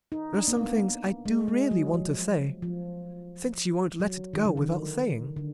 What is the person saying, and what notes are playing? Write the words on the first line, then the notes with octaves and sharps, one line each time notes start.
There are some things I do really want to say, since you won't let it go without saying.
D#4
D4
A#3
B3
G#3
G#3
F#3
F3
F3
F#3
D#3
D3
D#3
D3